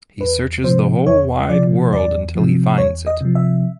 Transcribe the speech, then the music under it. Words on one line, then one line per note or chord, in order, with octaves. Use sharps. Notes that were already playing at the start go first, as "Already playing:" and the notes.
He searches the whole wide world until he finds it.
E2 B4
C3 F3 C5
E2 C#5
C3 F3 D5
E2 D5
C3 F3
E2 C#5
D#5
C3 F3
E5